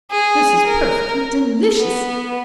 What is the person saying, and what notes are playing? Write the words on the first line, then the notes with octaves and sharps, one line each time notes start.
This is perfectly delicious.
G#4
A#4
B3